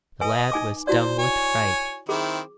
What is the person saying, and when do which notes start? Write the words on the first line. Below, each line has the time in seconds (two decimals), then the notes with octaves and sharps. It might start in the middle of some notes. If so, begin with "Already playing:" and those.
The lad was dumb with fright.
0.21 B4 D#5 G#5
0.52 D#4 G#5 D6
0.87 E4 F#4 C5 D5
1.19 C#5 G#5
2.09 D#3 C4 E4 G#4 D6